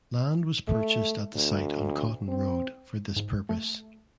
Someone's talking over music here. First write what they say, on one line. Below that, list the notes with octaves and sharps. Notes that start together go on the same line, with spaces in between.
Land was purchased at the site on Coton Road for this purpose.
A3
D2
C4
G#2
A3